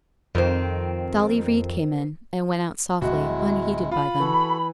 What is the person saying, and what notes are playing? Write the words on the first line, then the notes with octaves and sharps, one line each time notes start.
Dolly Reid came in, and went out softly, unheeded by them.
F2 D#3 C4
D1 G#3 E4 F#4
F4 B5
E3 F#4 A4